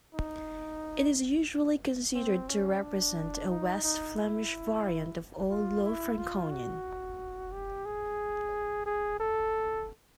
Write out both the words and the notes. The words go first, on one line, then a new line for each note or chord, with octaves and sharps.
It is usually considered to represent a West Flemish variant of Old Low Franconian.
D#4
C4
C#4
D4
D#4
D#4
E4
F4
E4
F4
F#4
G4
G#4
G#4
A4